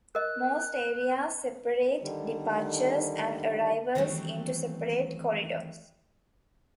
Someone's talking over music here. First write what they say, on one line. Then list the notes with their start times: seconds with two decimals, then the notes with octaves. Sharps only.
Most areas separate departures and arrivals into separate corridors.
0.15 A#4 D#5 F#6
2.01 D3 D#3 G3
3.95 D#3 E3 F#3 G3 A3 C4